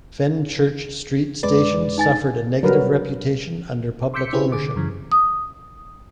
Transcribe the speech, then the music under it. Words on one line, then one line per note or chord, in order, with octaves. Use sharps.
Fenchurch Street station suffered a negative reputation under public ownership.
F2 G#3 B4 D5
D#4 G#5 A6
F#3 G3 A#4 B4
C6 D6 E6 G6 B6 C#7
C#4 E4 G4 G#4 B4 C5
D3 G#4 D6
F#2 C#3 E3
D#6